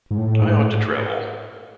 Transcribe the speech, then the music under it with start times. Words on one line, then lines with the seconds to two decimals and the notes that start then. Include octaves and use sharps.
I ought to travel.
0.11 G#2
0.17 A2
0.42 G#2
0.58 A2